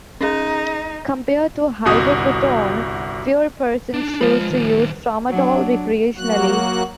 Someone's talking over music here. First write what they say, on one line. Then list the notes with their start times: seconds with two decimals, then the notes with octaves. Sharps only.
Compared to hydrocodone, fewer persons choose to use tramadol recreationally.
0.21 C#4 D#4 G#4
1.85 G1 C2 F#4 D#6
3.94 D4 D#4
4.21 F3 G#3 B5
4.50 D#3 G3
5.29 F#3 D4
6.17 F#3 A#3 F#4 F#6